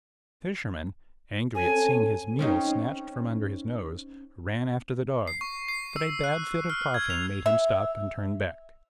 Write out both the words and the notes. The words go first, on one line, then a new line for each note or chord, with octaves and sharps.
The Fisherman, angry at seeing his meal snatched from under his nose, ran after the Dog, but a bad fit of coughing made him stop and turn back.
C4 C#4 A4 G#5
C4 C#4 D#4
C7
C#6
C7
E6
F#6
F6
G#6
F7
E5